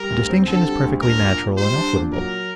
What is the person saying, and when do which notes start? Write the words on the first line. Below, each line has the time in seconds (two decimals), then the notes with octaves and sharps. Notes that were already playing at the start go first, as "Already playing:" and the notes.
The distinction is perfectly natural and equitable.
Already playing: G3 A#4
0.10 D2
0.29 C4
0.47 D3 A4
0.65 G3
0.84 D2
1.02 D4 A#4
1.20 A#2
1.39 A#2
1.57 G3 C5
1.76 D4
1.94 A#2
2.12 F#3 A#4